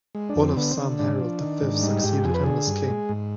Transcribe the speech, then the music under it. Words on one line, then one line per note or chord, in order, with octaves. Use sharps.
Olav's son Harald the Fifth succeeded him as King.
G#3
D4
F2
C4
D3 B3
C4
D3
G#2 D4
F3
D#3
G#2
G3 D#4
G#2 G4
F2 G#4
B4
D3 G#4
G2
G#3
G#2